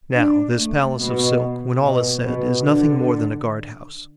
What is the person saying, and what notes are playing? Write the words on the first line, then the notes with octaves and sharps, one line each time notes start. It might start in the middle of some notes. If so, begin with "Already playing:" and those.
Now this palace of silk, when all is said, is nothing more than a guard- house.
D4
A3
B2
B2
B2
D3